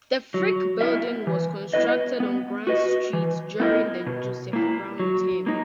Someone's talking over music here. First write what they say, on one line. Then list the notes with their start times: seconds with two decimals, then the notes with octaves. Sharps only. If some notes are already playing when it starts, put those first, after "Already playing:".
The Frick Building was constructed on Grant Street during the Joseph Brown term.
0.34 F#3
0.81 B3 E4 A#4 E5
1.27 E3
1.73 B3 E4 B4 D#5
2.20 B3
2.67 F#4 B4 D#5
3.13 E3
3.60 B3 E4 A#4 D#5
4.07 B2
4.53 A#3 E4
5.00 F#3
5.47 A#3 D#4